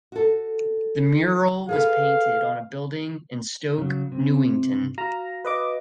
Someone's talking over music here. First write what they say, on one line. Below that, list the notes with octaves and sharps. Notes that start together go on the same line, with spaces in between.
The mural was painted on a building in Stoke Newington.
F#4 A4
G#4 A4 B4 F5
C#3 F#3
C3
F#4 F5 A#5
B4 D#5 D6